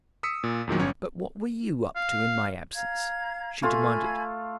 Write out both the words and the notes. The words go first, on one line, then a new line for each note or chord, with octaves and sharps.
"But what were you up to in my absence?" she demanded.
D#6 E6 B6 C#7
A#2
E2 A#2 D#3 F#3
G1 C#4 C#5
F5
F5 A#5 G#6
A3 F4 G#5 B5 C6 G#6